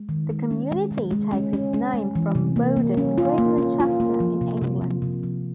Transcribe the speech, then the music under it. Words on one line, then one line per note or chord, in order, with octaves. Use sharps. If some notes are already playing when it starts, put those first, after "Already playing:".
The community takes its name from Bowdon, Greater Manchester, in England.
Already playing: G#3
D#3
G#3
C#4
G#3
C3
G#3
C#4
C#4
C#4
G#3
E3
C3
A#3
A#3
C#4
F4
A#3
C#4
F4
A#3
F3
C3
C3
F3
C3
F3